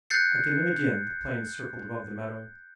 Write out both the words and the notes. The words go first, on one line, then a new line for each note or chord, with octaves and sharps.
Again and again the plane circled above the meadow.
F#6 G6 A6 C7 C#7